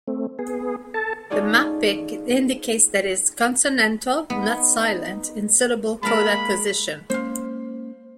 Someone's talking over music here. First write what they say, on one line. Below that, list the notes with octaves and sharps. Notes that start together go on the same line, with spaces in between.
The "mappiq" indicates that is consonantal, not silent, in syllable-coda position.
A3 C4
B3 G#4
A4 A5
A3 C#4 D#4 F4 G#4 D5
B3 D#4
G#3 A#3 A#4 F5 A5 B5
G#3 A#3 C#4 C5 F5